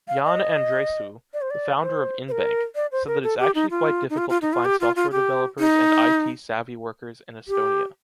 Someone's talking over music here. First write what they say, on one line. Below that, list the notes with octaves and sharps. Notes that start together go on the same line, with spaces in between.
Jan Andresoo, the founder of Inbank, said that it’s actually quite difficult to find software developers and IT savvy workers in Estonia.
F5
D#5
D5
C5
D5
C5
C5
A#4
D5
C5
A#4
A4
G4
D#4
F4
D#4
F4
F4
D#4
F4
G4
F4
F4
G4
D#4
G4